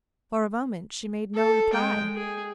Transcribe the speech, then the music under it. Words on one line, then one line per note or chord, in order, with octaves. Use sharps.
For a moment she made no reply.
A4
G#3 G5
G#4